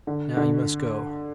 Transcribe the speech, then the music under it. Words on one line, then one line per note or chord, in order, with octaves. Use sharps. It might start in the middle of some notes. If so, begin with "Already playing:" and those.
Now you must go.
D3
D3